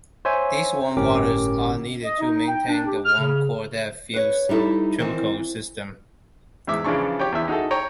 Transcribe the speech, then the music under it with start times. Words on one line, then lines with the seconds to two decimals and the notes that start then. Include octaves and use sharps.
These warm waters are needed to maintain the warm core that fuels tropical systems.
0.25 C5 C#5 E5 G#5
0.97 G1 A2 C#4 G4 A#4 D6
2.04 D#5
2.20 D#4
2.48 G5
2.68 D4
2.85 G4
3.05 F6
3.20 C#3
4.14 B4 C#5
4.49 G3 D#4 E4 A4
4.99 D#3 E3 C4
6.67 E2 G#2 E5 D6
6.84 C#3 E3 F3 D4 C#6
7.19 G4 C#5 G5
7.32 E2 E4 E5
7.48 D#4 F#4 G#4 A4
7.71 C#5 G5 A#5 C#6